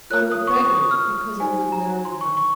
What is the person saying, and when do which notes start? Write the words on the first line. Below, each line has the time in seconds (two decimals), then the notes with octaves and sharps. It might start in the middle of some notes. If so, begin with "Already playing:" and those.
I'm a beggar because I would marry her.
0.10 F4 A#4 C#5 F#6
0.32 D#6
0.47 C#6
0.54 D#6
0.65 C#6
0.75 D#6
0.91 F6
1.40 D#4 F#4 C5 G#5
1.72 A#5
2.05 C6
2.21 C#6
2.37 C#6